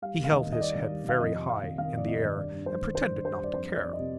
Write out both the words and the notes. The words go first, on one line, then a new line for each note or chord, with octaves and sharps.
He held his head very high in the air and pretended not to care.
G3 F5
D#2
F5
D#3 D#5
D#3
D#5
G3 D5
D#3
G3
D#3 F5
F2 D#5
C3
F2 F5
D#3
D#3 F5
F2 D5
C3 D#5
D#3
G2 D5
G2
G3 C5
D#3
G3 C5
G2
G3 C5
G2 D5
F2 C5
G3
D5
F2
D#5
C3